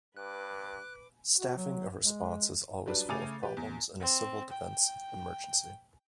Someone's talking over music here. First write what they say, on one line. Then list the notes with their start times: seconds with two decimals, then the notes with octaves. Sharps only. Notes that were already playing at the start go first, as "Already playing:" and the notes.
Staffing a response is always full of problems in a civil defense emergency.
0.17 G2 B4 D6 F#6
1.39 F#4
1.57 F#3
2.02 G#3
2.86 F#3 G3 D4 B4
3.09 C#3 A3 G#5 D6 A6 F7
3.43 G4 B4
3.57 E2
4.00 C4
4.52 G5